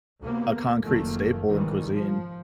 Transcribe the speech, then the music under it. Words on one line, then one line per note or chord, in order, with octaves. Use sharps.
a concrete staple in cuisine.
D2 C3 A#3 B3
F#1 D#3 F3 A3 A#3
G#1 G2 C3 D#3 E3 G3
F3